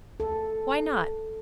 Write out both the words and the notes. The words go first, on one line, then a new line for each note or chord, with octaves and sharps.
"Why not?"
A4